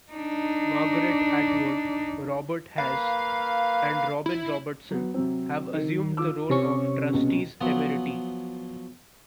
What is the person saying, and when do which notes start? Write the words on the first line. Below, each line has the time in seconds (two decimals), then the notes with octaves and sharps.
Margaret Atwood, Robert Hass and Robin Robertson have assumed the role of Trustees Emeriti.
0.12 D4 D#4
2.78 A#3 B4 F5
4.26 E4
4.91 F#3 B3
5.14 C3 F#3 C4
5.74 D#3
6.17 F4 D6 E6
6.50 C3 C#4 C#6
7.13 C#2 B2
7.61 F3 F#3 B3